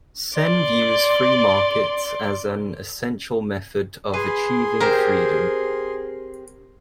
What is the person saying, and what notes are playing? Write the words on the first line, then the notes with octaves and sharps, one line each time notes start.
Sen views free markets as an essential method of achieving freedom.
D5 C6
G#4 B4 G#5 C6
C4 G4 A#4 C5